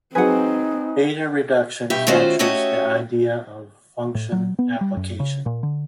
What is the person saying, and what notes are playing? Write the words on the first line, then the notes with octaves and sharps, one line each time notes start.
Beta-reduction captures the idea of function application.
F#3 C4 D#4 G#4 B4 F#5 G#5
G2 B2 D#4 G4 E5
D#3 A3 C#4 F4 F#4 C5
A3 C#4 F#4 G4 C#5 D#5
A2
F#3
B3
G3
F#2
C#3
A#2
D3